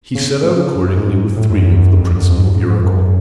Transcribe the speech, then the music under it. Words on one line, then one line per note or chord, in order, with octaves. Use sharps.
He set out accordingly with three of the principal Iroquois.
C#3
A2
C#3
F#2
G#2
A2
F#2
F#2
F#2
F2
F#2
F2
G#2
F#2
G#2
G#2
F#2